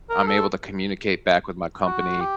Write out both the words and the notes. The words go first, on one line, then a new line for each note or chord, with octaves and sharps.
I'm able to communicate back with my company
A#4
A4
F#4
G4